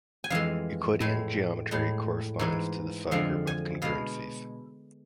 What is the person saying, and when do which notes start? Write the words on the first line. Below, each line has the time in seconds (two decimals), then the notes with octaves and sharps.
Euclidean geometry corresponds to the subgroup of congruencies.
0.24 G#5
0.30 F2 E3 G#3 F5
1.00 A2 G#3
1.71 A2 G#3
2.39 G#2 E3 G#3
3.11 F2 D3 F3 G#3 F5
3.47 G#5
3.82 B2 G#3 F5